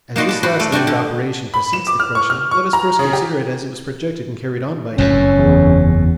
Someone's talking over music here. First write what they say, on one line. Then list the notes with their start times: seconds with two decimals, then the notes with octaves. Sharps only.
As this last-named operation precedes the crushing, let us first consider it as it was projected and carried on by him.
0.16 A#3 D#4 F#4 D5 C6
0.29 A5 B5
0.43 F#4 C5 D5 B5
0.60 A3 D5
0.72 D4 F#4 G4 D5 G5
0.87 D3
1.54 B5
1.73 E7
1.87 D6
2.00 F6
2.15 C#6
2.30 F6
2.51 C#6
2.73 A#5
2.99 C#3
3.13 G4
4.98 F#1 F2 A2 C#4
5.39 E2